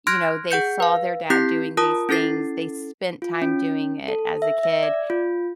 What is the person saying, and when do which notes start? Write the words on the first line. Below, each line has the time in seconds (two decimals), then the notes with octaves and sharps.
you know, they saw their dad doing these things, they spent time doing it as a kid,
0.07 C6 F6 F#6 G#6 A#6 D7
0.51 G#4 F#5 G6 C#7
0.80 B4 F5
1.30 C4 E4 G4 G6 B6 C7
1.77 F4 A#4 A5 D#6
2.09 C#4 E4 A4 A6 C7
3.22 F4
3.42 C#4
4.08 A4
4.42 E5
4.63 E5
4.83 D5
5.10 F4